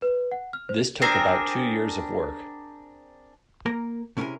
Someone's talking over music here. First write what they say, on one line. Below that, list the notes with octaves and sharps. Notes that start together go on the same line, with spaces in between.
This took about two years of work.
B4
F#5
F6
C5
C4 D4 G#4 A#4
A#3 A#4 A#5
C3 C#4 E4 G4 G#4 A#4